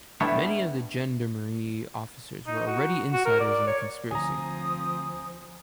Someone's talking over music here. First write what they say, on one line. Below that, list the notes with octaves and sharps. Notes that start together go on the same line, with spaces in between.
Many of the Gendarmerie officers were already insiders in the conspiracy.
G3 A3 B3 D4 E4 C#5
D#4
F#4
F#4
A#4
D5
C#5
D2 F3 C4 G#5 A#5 D#6